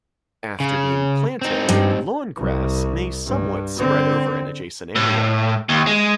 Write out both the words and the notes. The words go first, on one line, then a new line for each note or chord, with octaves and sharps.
After being planted, lawn grass may somewhat spread over an adjacent area.
C#3
C4 D#4
G2
C2
G2
D3 C4
A2
D#2
G#3